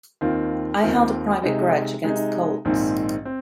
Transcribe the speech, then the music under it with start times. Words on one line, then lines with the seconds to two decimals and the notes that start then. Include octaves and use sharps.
I held a private grudge against the Colts.
0.21 D#2 D#3 C4 F4
0.83 D#2 D#3 C4 F4
1.43 C3 G#3 D#4
2.04 C3 G#3 D#4
2.65 A#1 G#2 D#3 C4
3.25 C4